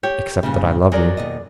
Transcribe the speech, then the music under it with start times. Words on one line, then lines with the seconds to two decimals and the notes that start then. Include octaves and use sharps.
"Except that I love you."
0.03 G4 C#5
0.43 G2 A#2 C#3
0.92 F#3 G#4 A#4 D5
1.17 D#2 B2 D#5